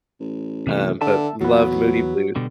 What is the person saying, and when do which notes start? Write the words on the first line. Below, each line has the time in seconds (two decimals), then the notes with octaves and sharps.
um, but love Moody Blue
0.20 A1
0.67 C3 E3 A3
1.01 D3 E5 A5
1.41 E2 F#3 B3
2.36 B2 D3 G3